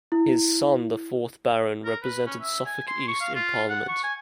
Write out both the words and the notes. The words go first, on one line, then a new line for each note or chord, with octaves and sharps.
His son, the fourth Baron, represented Suffolk East in Parliament.
E4
A#4
B4
C#4
E5
G#5
C6
C#6
F5
F4
F#5
C#6
G#5